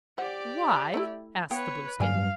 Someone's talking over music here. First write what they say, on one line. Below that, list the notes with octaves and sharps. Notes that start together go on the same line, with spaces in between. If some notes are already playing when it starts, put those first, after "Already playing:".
"Why?" asked the Blueskin.
G4 C5 D5 F#5
A3 D#4 E4
B3 B4 C#5 F5 G5
G2 F#3 G3 A#3 D5 F5 G#5